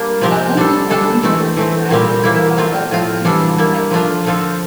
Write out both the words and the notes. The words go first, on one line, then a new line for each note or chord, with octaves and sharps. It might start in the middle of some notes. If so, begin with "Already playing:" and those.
The southernmost colonies are known from Ashe and Watauga Counties in North Carolina.
Already playing: G3 A#3 D4
C3 F3 C4 G4 A#4
G3 D4 A4
D3 G3 D4 A4
E3 A3 C4
E3 A3 C4
A#2 G3 C4 G4
E3 A#3 E4
A3 C4 F4
A2 F3 C4 F4
E3 G3 D4 A4
G3 A#3 E4
F3 A3 D4 F4
D3 F3 C4 F4 A4